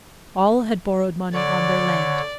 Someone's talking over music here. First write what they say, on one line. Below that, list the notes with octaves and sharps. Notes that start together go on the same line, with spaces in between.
All had borrowed money on their land.
D3 C#5 D5